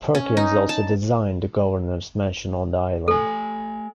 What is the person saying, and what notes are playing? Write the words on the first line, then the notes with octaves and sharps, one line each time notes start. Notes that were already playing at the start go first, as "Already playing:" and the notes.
Perkins also designed the Governors Mansion on the island.
C#4
D#4
A5
A3 A4 G#5